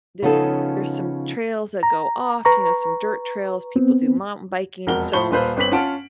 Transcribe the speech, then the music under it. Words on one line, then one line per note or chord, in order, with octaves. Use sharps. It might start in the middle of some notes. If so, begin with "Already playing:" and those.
there's some trails that go off, you know, some dirt trails, people do mountain biking, so
C#3 F3 B3 C#4 D#4 A4
A#5
B4 A#5 C#6
B3 C4
E1 F2 F#4 A#4 F#5 G7
A2 C5 A5 B5 C#6 G7
D#1 A#2 F4 B4 C5
G1 C4 B4 C#5 B6 F#7
C#4 F4 F#5 A5 D7